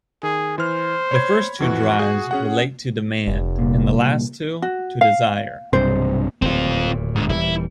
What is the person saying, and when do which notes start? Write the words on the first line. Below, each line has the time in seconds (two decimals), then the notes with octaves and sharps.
The first two drives relate to demand and the last two to desire.
0.23 D#3 G#4
0.58 E3 C5 F6
1.11 C#5 B5 G#6
1.60 F2 E3 F#4 C#6
1.99 G#4
2.31 C#4 G#4 F#5
3.27 F1
3.59 C2 F#2 A#2
4.62 F#4
5.01 F5
5.73 B1 G2 C3 C5
6.42 D1 D#2 A#2 C4 F4
7.16 G#2 D3
7.30 D#1 E3 G3 E4